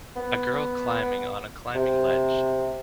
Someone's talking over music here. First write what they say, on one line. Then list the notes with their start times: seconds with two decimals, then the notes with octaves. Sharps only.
A girl climbing on a climbing ledge.
0.16 B3
1.75 C3